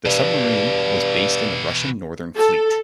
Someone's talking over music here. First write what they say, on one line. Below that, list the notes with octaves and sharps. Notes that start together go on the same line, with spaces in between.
The submarine was based in the Russian Northern Fleet.
G2 B2 E3
A4